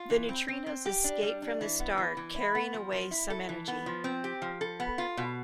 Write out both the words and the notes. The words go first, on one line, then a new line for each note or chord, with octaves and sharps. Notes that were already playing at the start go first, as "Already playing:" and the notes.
The neutrinos escape from the star carrying away some energy.
Already playing: F4
E3
C4
C4
C4
G4
D4
G3
D4
E3
B3
E3
E3
E4
B3
F3
F3
E4
A4
E3
B3
F3
C4
G4
F3
A4
B3
F4
B2